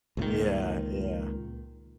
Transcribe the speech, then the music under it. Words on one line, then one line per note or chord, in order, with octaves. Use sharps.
Yeah, yeah.
C#2 A#2 D#3